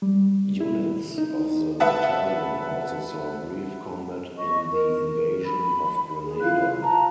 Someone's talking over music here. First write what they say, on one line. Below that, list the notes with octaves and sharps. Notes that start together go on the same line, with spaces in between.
Units of the battalion also saw brief combat in the invasion of Grenada.
G3
E4
D#4
B4 E5 F#5 A5
D#5 C#6
A#4
B5
G#4
E4 F4 F5 F#6
A5 A#5